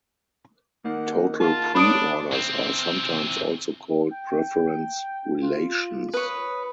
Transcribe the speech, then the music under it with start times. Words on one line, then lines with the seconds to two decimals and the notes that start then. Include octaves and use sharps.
Total preorders are sometimes also called preference relations.
0.85 A#3 D#4 F#5
1.40 F4 A5
1.75 D4 C#5 B5 D#6 D7
2.32 E3 C4
4.11 G5
5.42 F4
6.13 B4 C#5 D#6